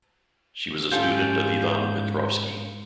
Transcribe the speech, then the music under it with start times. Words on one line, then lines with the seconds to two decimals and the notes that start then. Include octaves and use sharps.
She was a student of Ivan Petrovsky.
0.92 G#2 C#4 F4 G4 A4 C6 G6